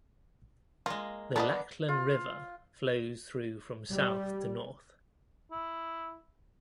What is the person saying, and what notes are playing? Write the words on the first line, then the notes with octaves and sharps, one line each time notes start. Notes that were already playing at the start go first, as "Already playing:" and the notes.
The Lachlan River flows through from south to north.
G#3 A#3 F4
A#3 B3 D4 A4 A#4 D#5
F4
G3
E4